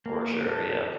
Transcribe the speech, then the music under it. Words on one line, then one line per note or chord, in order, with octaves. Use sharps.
For sure, yeah.
A#3
A4
A4